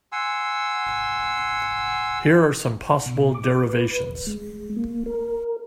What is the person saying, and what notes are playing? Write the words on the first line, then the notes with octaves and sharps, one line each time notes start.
Here are some possible derivations.
F#5 G#5 C6 E6
B2
D6
B4
D#2
G#3
A#3
A#4